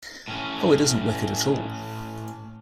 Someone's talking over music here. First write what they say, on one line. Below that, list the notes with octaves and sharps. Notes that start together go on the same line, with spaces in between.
Oh, it isn’t wicked at all.
A2 C#4